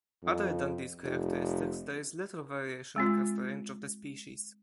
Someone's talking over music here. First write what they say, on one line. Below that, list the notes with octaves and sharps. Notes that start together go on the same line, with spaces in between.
Other than these characteristics, there is little variation across the range of the species.
F2
F1
G#3 C4 F4